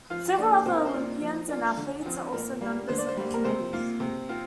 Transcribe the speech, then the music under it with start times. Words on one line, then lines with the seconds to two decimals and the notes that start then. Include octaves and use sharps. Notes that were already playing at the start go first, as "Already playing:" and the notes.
Several other Olympians and athletes are also members of the Committee.
0.10 F3 F4 F5
0.37 A#3 D4 F4 D5
0.66 C3 C5
0.75 A#4
0.85 C5
0.93 A#3 D4 F4
1.21 F3
1.49 D4 F4
1.77 D3
2.05 F3 C4 F4
2.33 A#2 A#4
2.61 G3 A#3
2.88 D3 C5
2.98 D5
3.08 C5
3.17 G3 A#3
3.34 A#4
3.45 C3 C5
3.73 A#3 F4
4.00 C3
4.29 C4 F4